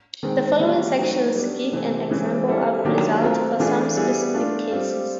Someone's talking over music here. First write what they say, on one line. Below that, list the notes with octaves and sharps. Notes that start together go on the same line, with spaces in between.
The following sections give an example of results for some specific cases.
D#3 G#3 C4
E3 G3 A#3 C#4 F#4
F#3 A3 C4 D#4 F#4
G3 B3 D4
C3 E3 A3 C4
C#3 E3 G#3 C4
G3 C4 E4 A4
D#3 F#3 A#3 D4 G4
A3 C4 F4 A#4
E3 A3 D4 F4 G#4
G3 B3 E4 G#4
A3 D4 F4
G3 C4 F4